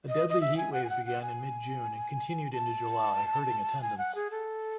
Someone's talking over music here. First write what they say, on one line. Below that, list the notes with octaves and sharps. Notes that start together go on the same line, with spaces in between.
A deadly heat wave began in mid-June and continued into July hurting attendance.
D#5
D#5
E5
G#5
F#5
G#5
F#5
F#5
G#5
A5
G#5
F#5
G#4
A4